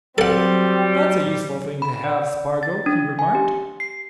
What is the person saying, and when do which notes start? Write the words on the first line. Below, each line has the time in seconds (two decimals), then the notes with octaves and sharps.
"That's a useful thing to have, Spargo," he remarked.
0.18 F#3 G3 C4 A4 F#5
1.82 B5
2.04 D5
2.63 A6
2.86 D4
3.19 G#5
3.35 G4
3.80 C7